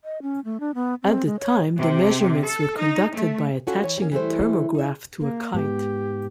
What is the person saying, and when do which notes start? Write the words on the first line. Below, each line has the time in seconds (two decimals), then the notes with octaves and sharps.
At the time the measurements were conducted by attaching a thermograph to a kite.
0.04 D#5
0.22 C#4
0.45 A3
0.60 D4
0.75 B3
1.03 C4
1.26 G#3
1.40 C#5
1.78 C3
2.44 A4
2.77 D#4
3.15 A3
3.67 C#4 F4 F#4 A4
3.83 E3 C#5
3.98 G3 A#3 C#4
4.12 E3 G3 A3 C5
4.75 D#4 E5
5.20 A#3
5.54 G#2 B3 G4